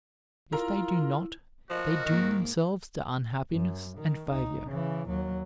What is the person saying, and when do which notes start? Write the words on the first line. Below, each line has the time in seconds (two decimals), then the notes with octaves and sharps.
If they do not, they doom themselves to unhappiness and failure.
0.52 E4 F4 A#4 A#5
1.70 F3 F#4 A#4 D#5
2.05 G#2 D#3 A#3
3.52 F#2
3.98 D#3
4.29 C#2 D#4
4.67 C#3 E3
5.08 D#2 F#3